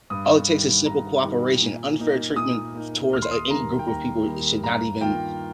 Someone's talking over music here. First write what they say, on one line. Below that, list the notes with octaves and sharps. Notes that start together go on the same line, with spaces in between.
All it takes is simple cooperation. Unfair treatment t towards a any group of people, it should not even
G2 D#6
D#3 G3
G2 A#5
D#3 G3
A#2
A#3 D#4
A#2 D#6
A#3 D#4
D#2 F6
C6
D#6
D#3 G3 A#3 A#5
G5
D#2 A#5
D#3 G3 A#3
G2 A#5
D#3 A#3 F4 G5